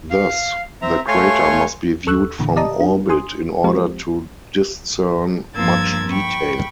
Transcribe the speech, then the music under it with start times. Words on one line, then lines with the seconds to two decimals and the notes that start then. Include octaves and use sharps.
Thus the crater must be viewed from orbit in order to discern much detail.
0.11 F5
0.82 C4 E5 A#5
1.08 A3 C#5 F5 G#5 C6 C#6
2.07 D#2 A4 C#6 E6 F#6
2.39 A#2 D3 E3
2.56 G4 D5 D#5 A5 A#5 D#6
2.80 D4
3.09 G#5 C6 D#6
3.64 F3 G#3 C4 F4 G4 C5
5.55 G2 F3 A#3 E6 G#6 A6
6.09 G5 B5 C#6